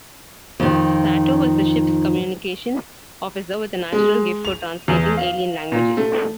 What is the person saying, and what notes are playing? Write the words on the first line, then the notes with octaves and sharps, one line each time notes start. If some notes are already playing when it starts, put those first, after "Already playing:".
Sato was the ship's communications officer, with a natural gift for translating alien languages.
F2 D#3
G#3
F7
E2
F5
A#2
A3